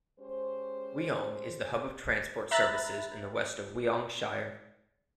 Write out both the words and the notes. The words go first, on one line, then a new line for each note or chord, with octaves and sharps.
Wyong is the hub of transport services in the west of Wyong Shire.
G#3 C#4 G4 C5
E5 A#5 B5 F#6 A6